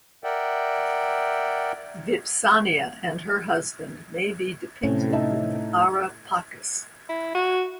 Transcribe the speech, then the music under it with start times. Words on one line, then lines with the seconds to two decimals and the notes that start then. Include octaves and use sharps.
Vipsania and her husband may be depicted in the Ara Pacis.
0.24 A#4 D5 E5 F#5 G5
4.83 A2 C3 C4 C#4
5.12 D#4 E5 A5
7.09 E4
7.35 F#4